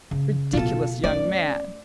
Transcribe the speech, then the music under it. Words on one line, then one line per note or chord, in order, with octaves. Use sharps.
Ridiculous young man!
C#3
B2 B3 F4 A4
A3 C#4 D5